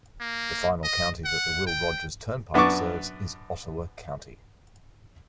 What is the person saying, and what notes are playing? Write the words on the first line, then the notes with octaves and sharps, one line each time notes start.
The final county that the Will Rogers Turnpike serves is Ottawa County.
A#3
D#5
F#5
G5
F#2 B3 D4 A5 C#6 D6